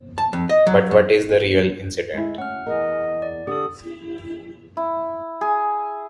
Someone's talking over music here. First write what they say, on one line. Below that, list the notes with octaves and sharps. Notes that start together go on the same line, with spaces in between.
But what is the real incident?
A5
F2
D#5
F#3
F#2
G#3 E4
D2 C#4 F#5 F6
E2 G#4 A#4 D#5
D5
D3 G4 A4 D#6
E4
G#4